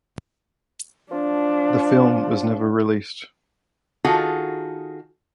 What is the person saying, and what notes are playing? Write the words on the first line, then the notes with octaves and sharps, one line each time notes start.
The film was never released.
F3 D4
D#3 F4 F#4 G#4 A4